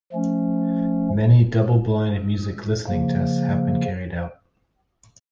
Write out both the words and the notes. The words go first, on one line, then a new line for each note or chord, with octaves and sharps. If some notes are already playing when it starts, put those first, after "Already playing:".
Many double-blind music listening tests have been carried out.
F3 A3 C#4
C#3 F3 A#3